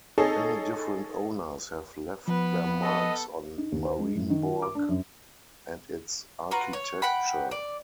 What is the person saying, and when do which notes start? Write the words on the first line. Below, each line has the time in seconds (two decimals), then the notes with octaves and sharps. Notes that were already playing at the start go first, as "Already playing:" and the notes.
Many different owners have left their marks on Marienborg and its architecture.
0.18 D#4 G#4 A4 C#5 D#5
2.28 F3 B3 B4
2.83 A4 D#5
3.58 D#4
3.72 D#2
3.85 C5
3.99 G#3
4.15 F#2
4.30 D#3
4.46 F4
4.62 D6
4.75 D4
4.89 F#2
6.51 F4 F#4 B4 A#5
6.73 C#5
7.02 F#5 G5 B5
7.51 D5